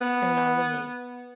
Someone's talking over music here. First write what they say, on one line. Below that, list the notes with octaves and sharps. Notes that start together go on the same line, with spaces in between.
Or, not really?
B3